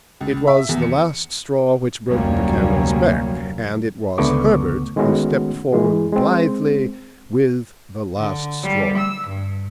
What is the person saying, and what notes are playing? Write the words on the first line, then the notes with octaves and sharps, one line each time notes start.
It was the last straw which broke the camel's back, and it was Herbert who stepped forward blithely with the last straw.
C#2
E5
E2
C#7
F1 D2 F#3 G3 A#3 C#4
C#2 D3 A3 B3 C#6 D6
D#3 G#3 A3 B3 C#4 F#4
E3 G#3 G#4
G#3 C4
D3
G3
E6
G2